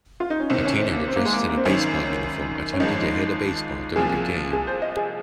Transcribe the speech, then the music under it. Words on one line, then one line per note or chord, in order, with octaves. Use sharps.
A teenager dressed in a baseball uniform attempting to hit a baseball during a game.
F4
D#4
C#4
C2 C3 D#3 C4
C#4
C4
A#3
C4
A#3
G#3
A#3
A#3
C4
G#1 F#2 D#3 C#4
C#4
G#1 G#2 F3 G#3 D#4
C2 A#2 F3 C4 F4 G#4
G#4
C5
D#5
G#4